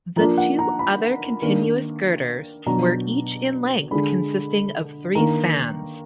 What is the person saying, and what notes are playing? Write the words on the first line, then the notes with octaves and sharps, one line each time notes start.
The two other continuous girders were each in length, consisting of three spans.
F3 A#3 D4 A#5
F#5
A#5
B5
D#3 A#3 D4
B2 F#3 D4 A#5
D3 G#3 D4 B5
D#3 A#3 D4 A#5